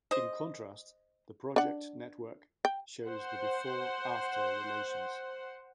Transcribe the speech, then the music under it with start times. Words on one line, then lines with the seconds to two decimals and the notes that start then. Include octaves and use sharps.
In contrast, the project network shows the "before-after" relations.
0.11 C5 D#5
1.56 D4 F#5
2.65 G5
3.07 C5 F#5